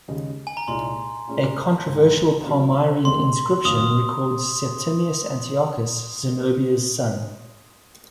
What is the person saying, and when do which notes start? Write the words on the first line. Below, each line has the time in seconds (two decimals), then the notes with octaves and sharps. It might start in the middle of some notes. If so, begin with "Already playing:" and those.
A controversial Palmyrene inscription records Septimius Antiochus, "Zenobia's son".
0.08 D#2 C#3 G#3 D#4
0.47 G#5
0.57 A#5
0.68 C2 A#2 G#3 D#4 C6
1.28 A#2 G#3 C#4 G#4
1.86 G#2 D#3 A#3
2.46 C3 F#3 C#4 G#4
3.05 D#2 C#3 G#3 C4 D#4 C6
3.65 F#1 F#2 D#3 F#3 A#3 D#6